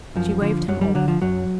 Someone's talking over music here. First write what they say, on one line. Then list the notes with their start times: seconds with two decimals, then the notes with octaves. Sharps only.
She waved him off.
0.16 F#2 F3
0.42 D3 F3
0.68 F#2 F#3
0.81 G3
0.95 D3 F#3
1.08 F3
1.22 F#2 F#3